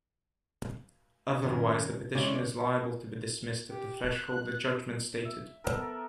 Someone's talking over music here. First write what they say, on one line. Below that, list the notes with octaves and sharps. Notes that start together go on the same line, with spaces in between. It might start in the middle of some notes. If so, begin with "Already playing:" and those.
Otherwise the petition is liable to be dismissed at the threshold, the judgment stated.
G2 D#3 C#4 A#4
C#3 G#3 C#4 E4 C#5 D5
G4
F#6
E5
B3 A4 A#4